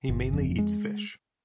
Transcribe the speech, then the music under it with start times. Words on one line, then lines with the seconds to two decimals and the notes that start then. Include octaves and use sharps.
He mainly eats fish.
0.09 G1
0.33 F2
0.58 G#3